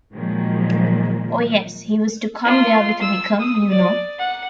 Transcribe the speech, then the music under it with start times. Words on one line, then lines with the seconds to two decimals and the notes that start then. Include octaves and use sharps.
Oh, yes! — he was to come there with Wickham, you know.
0.13 A#2 D#3 F3 F#3 G#3 A#3
2.45 F4
3.01 E6
3.39 D#6
3.70 D5
4.19 F#5